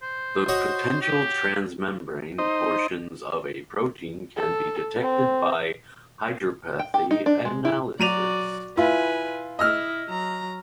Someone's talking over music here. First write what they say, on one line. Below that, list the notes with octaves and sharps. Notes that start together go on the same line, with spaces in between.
The potential transmembrane portions of a protein can be detected by hydropathy analysis.
C5
F#4 C#5 D#5
G4
D#4 C5 D#5
A4
C4
G5
G4
D#4
D4
G#3
E4
F#3 F#4 D5 D#7 F7
E4 F4 B4 G#5
E4 D#5 E6 F6
F#3 A#5